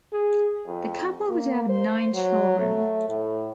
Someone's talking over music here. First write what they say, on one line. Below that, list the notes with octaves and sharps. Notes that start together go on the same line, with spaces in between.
The couple would have nine children.
G#4
F2
A#3
C5
F#3
A3
A2